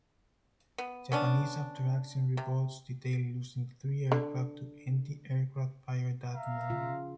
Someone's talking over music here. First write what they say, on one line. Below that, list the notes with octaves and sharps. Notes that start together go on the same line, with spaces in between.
Japanese after action reports detail losing three aircraft to antiaircraft fire that morning.
B3
B3 C#4 D4
C3
D3
E5 F5 A#5
C#3 F4